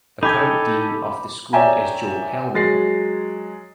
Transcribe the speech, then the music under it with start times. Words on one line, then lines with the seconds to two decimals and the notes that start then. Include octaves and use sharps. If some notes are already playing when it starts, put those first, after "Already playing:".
The current dean of the school is Joel Hellman.
0.23 D#4 G4 A4 G#5 B5 D6
1.53 C#5 D5 E5 G5 G#5 A#5
2.54 F#3 G#3 A6 A#6 C7